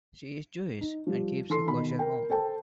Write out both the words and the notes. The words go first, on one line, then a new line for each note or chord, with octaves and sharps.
She is Jewish and keeps a kosher home.
D#4
F3 G3
E3 A4 C6 C7
B2 D#3 B5
A#4 G5
A4 C5 G5 A5